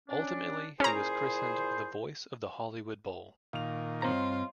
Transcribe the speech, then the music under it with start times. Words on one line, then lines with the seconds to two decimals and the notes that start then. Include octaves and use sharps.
Ultimately he was christened The Voice of the Hollywood Bowl.
0.08 C#4 D4
0.80 A#2 C#4 E4 G#4 C5 A#5
3.53 A#2 D#3 F5 F7
4.02 G2 C4 F4 C5 C#5 D#5 A#5